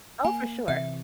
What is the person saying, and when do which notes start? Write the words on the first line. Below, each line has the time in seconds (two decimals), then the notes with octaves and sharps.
Oh, for sure.
0.25 A#3 G#5
0.68 C3 E3 E5